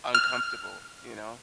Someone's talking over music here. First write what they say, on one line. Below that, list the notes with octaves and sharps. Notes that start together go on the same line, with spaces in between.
uncomfortable, you know?
F6